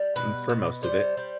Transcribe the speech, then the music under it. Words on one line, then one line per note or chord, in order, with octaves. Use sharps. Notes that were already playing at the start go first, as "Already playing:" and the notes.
mm, for most of it,
Already playing: G3
B2 B4
B2
G3 C5
G3